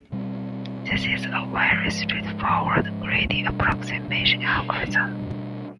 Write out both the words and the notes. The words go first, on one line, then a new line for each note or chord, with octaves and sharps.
This is a very straightforward greedy approximation algorithm.
B2 G3 C4
B2 G3 C4
G#2 F3 G#3
G#2 F3 G#3
B2 G3 D4
B2 G3 D4
B2 G3 D4